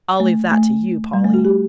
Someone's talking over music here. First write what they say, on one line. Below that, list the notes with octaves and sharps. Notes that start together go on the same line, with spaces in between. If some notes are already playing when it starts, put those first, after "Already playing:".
"I'll leave that to you, Polly."
A3
A3
G3
A3
F#4
G4